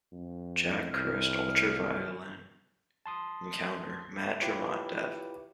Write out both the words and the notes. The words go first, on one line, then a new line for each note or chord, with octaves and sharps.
Jake Crist Ultraviolent Encounter: Matt Tremont def.
F2
C2 F6
A5 C6 D#6
E4 F4 G4 B4 C#5